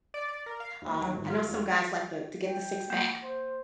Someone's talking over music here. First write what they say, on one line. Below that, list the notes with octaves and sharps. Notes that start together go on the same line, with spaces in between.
um, I know some guys like to get the six-pack
D5
D5
A#4
F5
D#2
F#3
G#1
F4
E2
G5
A#3
C5